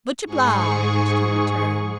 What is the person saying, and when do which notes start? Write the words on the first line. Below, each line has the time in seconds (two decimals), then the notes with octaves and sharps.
"Much obliged," he returned.
0.26 G#2 G#4 C#6